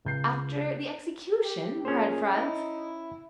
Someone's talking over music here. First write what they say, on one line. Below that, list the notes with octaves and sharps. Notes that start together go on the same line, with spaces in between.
"After the execution?" cried Franz.
C#2 G6 C7
G4
A#2 C#4 G#4 C5
D#4 E4